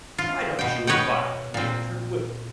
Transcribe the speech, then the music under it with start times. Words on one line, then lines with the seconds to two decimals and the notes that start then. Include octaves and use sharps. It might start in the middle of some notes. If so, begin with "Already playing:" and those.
Why don't you invite her to make the trip with you?
0.18 F4
0.59 B2 G5
0.87 B4 C#5 D#5 F#5 G5
1.54 A#2 C4